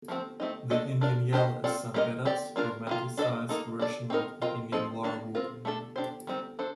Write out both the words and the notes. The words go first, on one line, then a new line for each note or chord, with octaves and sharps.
The Indian Yell is San Beda's romanticized version of the Indian war whoop.
F3 A3 C4
A3 C4 D#4
A3 D4 A4 D#5
D4 F4 A#4 D5
D4 G4 C5 D#5
C4 F4 A4 D5
G3 A#3 F4 A#4 D#5
C4 G4 D5
A#3 D4 F4 A#4
D#3 A#3 F4
D4 A4 C5 D#5
A#3 D#4 A4
D4 A4 D5
C4 D#4 A#4
C4 F4 A#4 D#5
F3 C4 D#4 A4
D#3 A#3 D4
C4 F4 A#4
A3 D4 A4
D4 G4 C5
D#3 G3 C4
D4 A4 C5